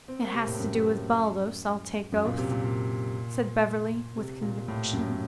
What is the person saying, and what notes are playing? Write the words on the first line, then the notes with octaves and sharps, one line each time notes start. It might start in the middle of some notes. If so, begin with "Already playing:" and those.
"It has to do with Baldos, I'll take oath," said Beverly, with conviction.
C4
A#3
C3
A2
F#2
F#2
A#2
C3
A#2
A#2
C3
A#2
A2
F#2